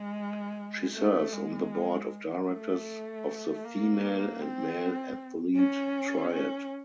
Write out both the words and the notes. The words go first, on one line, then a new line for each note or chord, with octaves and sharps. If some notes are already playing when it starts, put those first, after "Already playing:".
She serves on the Board of Directors of the Female and Male Athlete Triad.
Already playing: G#3
A3
G#3
A3
A#3
C4
C#4
C#4